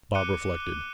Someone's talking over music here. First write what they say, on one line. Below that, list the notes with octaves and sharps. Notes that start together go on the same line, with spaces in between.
Bob reflected.
D6 F#6 C#7 D#7 G7